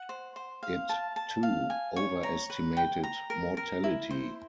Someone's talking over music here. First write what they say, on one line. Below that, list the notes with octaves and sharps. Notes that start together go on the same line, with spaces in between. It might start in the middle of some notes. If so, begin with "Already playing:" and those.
It, too, overestimated mortality.
Already playing: F#5
C5
C5
F5
A5
A5
F5
G#5
C#5
A#5
B4
G5
A#5
A#4
A#4
E4
C5